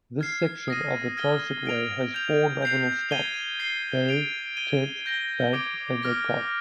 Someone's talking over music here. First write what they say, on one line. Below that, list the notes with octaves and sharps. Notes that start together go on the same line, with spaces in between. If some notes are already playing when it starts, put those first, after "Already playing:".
This section of the Transitway has four nominal stops: Bay, Kent, Bank and Metcalfe.
F6 G#6 C7
D#6 A#6 D#7
F6 G#6 D#7 G7
G#6 D7 F7
G6 D7 F7
G6 C7 F7
G#6 D#7 G7
G#6 C7 G7
G#6 D7 F7
G#6 D#7 G7
G6 A#6 D#7 G7
D6 G#6 D7
D6 F6 A#6 D7